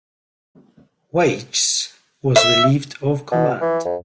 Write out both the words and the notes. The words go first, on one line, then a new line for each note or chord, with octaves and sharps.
Weichs was relieved of command.
E5
B2
E3
F2